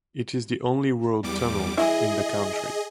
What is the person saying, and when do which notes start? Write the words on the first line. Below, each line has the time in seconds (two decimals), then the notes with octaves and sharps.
It is the only road tunnel in the country.
1.23 E2 G3 D6
1.77 E3 F3 E4 G#4 D#5